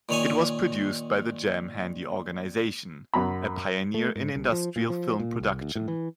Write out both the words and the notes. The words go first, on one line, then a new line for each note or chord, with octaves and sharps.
It was produced by the Jam Handy Organization, a pioneer in industrial film production.
A#2 D#3 C#5 G#5
F#2 F#4 A#5 B5
A3
G#2
C2
F3
A#2
F3
A#2
C2
D2
A2
E3